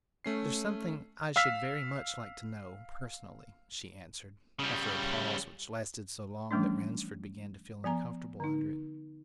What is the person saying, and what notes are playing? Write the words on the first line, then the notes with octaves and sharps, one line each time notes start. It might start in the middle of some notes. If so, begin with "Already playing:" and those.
"There's something I should very much like to know--personally," she answered, after a pause which lasted so long that Ransford began to feel uncomfortable under it.
A3 C#4 C7
F5 E6 F6 B6
C#3 G3
E3 F3 G3 A3 C#4 D4
F3 B3 G#5 A#5
D3 D#4